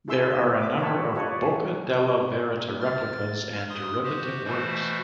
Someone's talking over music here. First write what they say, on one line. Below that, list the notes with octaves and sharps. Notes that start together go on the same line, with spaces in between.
There are a number of "Bocca della Verita" replicas and derivative works.
E4 G#4 E5 C6 E6
C5
B4 E5 D6
A#4 B4 C#5 E5 G5 A5
F4 G4 B4 C#5 D#5 A5
D5
F6 A6
C6 D#6
F#4 G4 C5
B2 E3 A3 F#4 C5